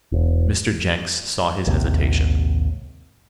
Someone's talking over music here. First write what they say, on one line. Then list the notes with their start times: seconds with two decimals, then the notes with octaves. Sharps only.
Mr. Jenks saw his hesitation.
0.12 E1
1.66 A#1 D#2 G#2 C3